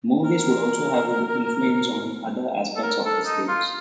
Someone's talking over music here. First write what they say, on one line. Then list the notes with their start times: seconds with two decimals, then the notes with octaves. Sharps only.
Movies would also have influence on other aspects of his games.
0.25 A#4
2.76 A4
2.83 A#4
3.05 A4
3.26 D#4
3.48 F4